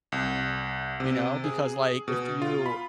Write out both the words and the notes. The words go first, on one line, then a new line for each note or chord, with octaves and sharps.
You know, because, like, if you
C2
C3
G#4
B2
F4
B5